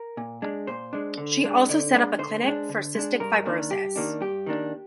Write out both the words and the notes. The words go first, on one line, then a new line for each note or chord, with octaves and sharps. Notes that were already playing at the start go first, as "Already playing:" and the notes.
She also set up a clinic for cystic fibrosis.
Already playing: A#4
A#2
G#3 D4
A#2 C5
G#3 D4
D3
G#3 D4
D3 D5
G#3 D4
D3 C5
G#3 D4
D3
G#3 D4
G2 A#4
D#3 A#3 D4
G2 G4
D#3 A#3 D4
G2 G4
D#3 A#3 D4